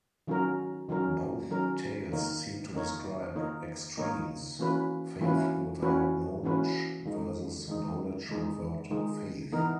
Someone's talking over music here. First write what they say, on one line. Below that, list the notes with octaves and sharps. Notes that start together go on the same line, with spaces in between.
Both tales seem to describe extremes, faith without knowledge versus knowledge without faith.
D#3 F#3 C#4 F#4 A#4
D#3 F#3 C#4 F#4 A#4
D#3 F#3 C#4 F#4 A#4
D#3 A#3 D#4 A#4 C#5
D#3 A#3 D#4 A#4 C#5
D#3 A#3 D#4 A#4 C#5
D#3 A#3 D#4 A#4 C#5
E3 A#3 C#4 F#4 B4
E3 A#3 C#4 F#4 B4
E3 A#3 C#4 F#4 B4
E3 A#3 C#4 F#4 B4
D#3 G#3 D#4
D#3 G#3 D#4
D#3 G#3 D#4
D#3 G#3 D#4
E3 B3 D#4 A#4